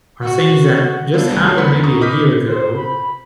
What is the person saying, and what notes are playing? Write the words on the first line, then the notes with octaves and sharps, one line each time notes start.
are things that just happened maybe a year ago
F#4
B3 D4 F4 A4
C2 G3 A3
A1 D#3 F#3 G3
E2 F#5 B5 C6 B6
A#5 C#6 D#6
B4 D#5 D6 F6 G6 B6
C5
B5